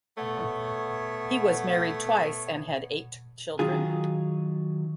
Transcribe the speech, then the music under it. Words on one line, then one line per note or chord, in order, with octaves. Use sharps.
He was married twice and had eight children.
A3 B3 C#5
D#3 F#3 F4 G#4